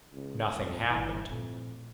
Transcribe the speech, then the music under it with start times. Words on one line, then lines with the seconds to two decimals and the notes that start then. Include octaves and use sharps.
Nothing happened.
0.13 C#2
0.57 F2 E3 F4
0.90 G1 E3 D4
1.29 F2 A#2 A3